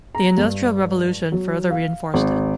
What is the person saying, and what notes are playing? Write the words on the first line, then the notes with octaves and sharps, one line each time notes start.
The industrial revolution further reinforced it.
A#5
G2
F#3
F5
G#1